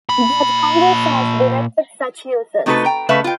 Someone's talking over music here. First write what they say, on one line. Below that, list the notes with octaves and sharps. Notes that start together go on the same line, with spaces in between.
Yet Congress has directed such uses.
A#2 B5
C3 A3 D#4 F#4 A4 B4
G5 A#5
C#3 A3 B4 E5 F5
F4 G5